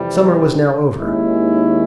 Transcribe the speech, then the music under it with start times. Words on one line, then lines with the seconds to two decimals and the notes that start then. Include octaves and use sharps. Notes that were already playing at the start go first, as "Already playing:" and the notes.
Summer was now over.
Already playing: F2 C3 E3 G3
0.98 D#2 D#3 G#3 C#4 E4